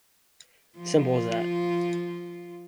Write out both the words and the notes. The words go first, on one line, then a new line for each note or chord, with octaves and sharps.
Simple as that.
F3 F4